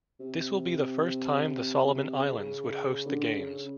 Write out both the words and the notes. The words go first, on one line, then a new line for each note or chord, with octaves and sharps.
This will be the first time the Solomon Islands would host the Games.
C3
C#3
D3
C#3